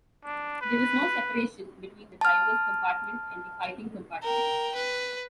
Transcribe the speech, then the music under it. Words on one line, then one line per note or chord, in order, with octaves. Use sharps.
There was no separation between the driver's compartment and the fighting compartments.
D4
B4
A5 F6
A#4 G5
B4